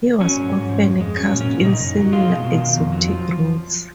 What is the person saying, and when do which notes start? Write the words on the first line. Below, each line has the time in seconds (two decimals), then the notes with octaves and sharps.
He was often cast in similar, exotic roles.
0.21 F#3 C#4
0.37 G#2
0.52 G#2
0.69 F3
0.85 F2
1.01 G#3
1.16 F#3 C#4
1.33 A#2
1.41 C#4
1.48 A#2
1.64 C#3 D#4
1.80 F#2
1.97 F#3
2.12 G#3 F4
2.29 B2
2.44 B2
2.60 D#3
2.77 F2
2.92 F#3
3.08 F3